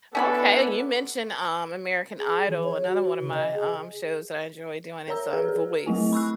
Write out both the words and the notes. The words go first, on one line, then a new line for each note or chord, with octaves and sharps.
Okay, you mentioned, um, American Idol, another one of my, um, shows that I enjoy doing is, um, Voice.
B3 C#4 D4 E4 A4 G#5 B5
G#4
E3
C#5
F#4
C#3
D#5
G#4
A#4 C#5 A#5 E6
G#4 B4
G#4
F#3 A3 E4 G#5
B5 C#6 E6 F#6